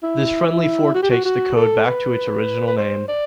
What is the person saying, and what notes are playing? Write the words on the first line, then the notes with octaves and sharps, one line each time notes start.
This friendly-fork takes the code back to its original name.
E4
F#4
G4
F#4
F#4
A4
B4
B4
C5
D5